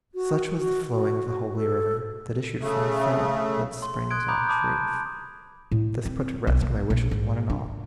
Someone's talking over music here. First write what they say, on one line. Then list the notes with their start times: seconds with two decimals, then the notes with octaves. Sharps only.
Such was the flowing of the holy river That issued from the fount whence springs all truth; This put to rest my wishes one and all.
0.15 F#4
0.57 F#4
0.94 F#4
1.56 A4
2.62 C#3 A3
3.82 C6
4.10 C6 D#6 F#6 G#6 D7
4.28 A#5 B5 D6 D#6 G6
4.48 A5 B5 D6 D#6 G6
5.71 A2
6.05 C4
6.47 B1
6.62 A#3
6.90 A#1
7.11 G#2
7.50 D4